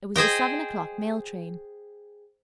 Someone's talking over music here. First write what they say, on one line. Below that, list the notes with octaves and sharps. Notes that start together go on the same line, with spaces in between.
It was the seven o'clock mail train.
G#4 C5 D#5 G5